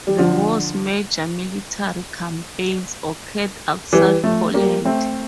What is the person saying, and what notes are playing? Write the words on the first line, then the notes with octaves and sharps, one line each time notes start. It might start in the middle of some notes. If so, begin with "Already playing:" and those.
The war's major military campaigns occurred outside Poland.
G3
D3 F3
E3 G3
F3 A3
G3 A#3
A3 C4